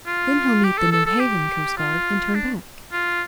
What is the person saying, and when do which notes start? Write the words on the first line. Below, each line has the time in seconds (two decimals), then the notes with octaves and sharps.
'Then he'll meet the Newhaven coastguard and turn back.
0.06 F4
0.64 G4
0.78 A4
0.92 A4
1.06 A4
1.20 G4
1.78 F4
2.35 D4
2.92 F4